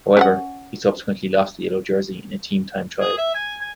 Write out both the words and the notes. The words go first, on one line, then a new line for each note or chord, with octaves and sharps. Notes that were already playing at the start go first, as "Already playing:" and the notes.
However he subsequently lost the yellow jersey in a team time trial.
C#4 F5 F#5
G#4
E5
G#5
G#5